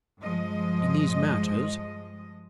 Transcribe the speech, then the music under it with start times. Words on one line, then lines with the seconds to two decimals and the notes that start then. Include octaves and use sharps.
In these matters.
0.20 G2 F3 G#3 D#5